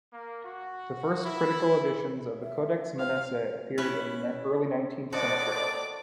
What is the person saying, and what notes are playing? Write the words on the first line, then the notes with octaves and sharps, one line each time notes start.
The first critical editions of the "Codex Manesse" appeared in the early nineteenth century.
A#3
F#4
E4
E5
C4 F5
C#4 E4 B4
A2 F#4 C5 D5 D#5 A5 D6